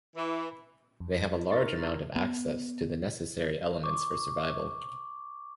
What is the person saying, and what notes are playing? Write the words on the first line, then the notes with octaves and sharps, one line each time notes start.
They have a large amount of access to the necessary elements for survival.
E3
F2
D#4 A#4 C6 C#6 A6
B3
C#6 D6